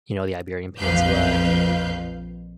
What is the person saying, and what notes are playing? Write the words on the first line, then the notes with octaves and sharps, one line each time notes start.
you know, the Iberian Peninsula and
A#1 F2 B4 F5 G6